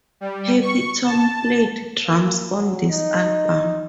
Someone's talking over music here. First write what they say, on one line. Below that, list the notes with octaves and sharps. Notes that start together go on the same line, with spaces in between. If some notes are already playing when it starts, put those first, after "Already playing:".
Happy-Tom played drums on this album.
G3
C#6
A5
A#3
F#3
D#4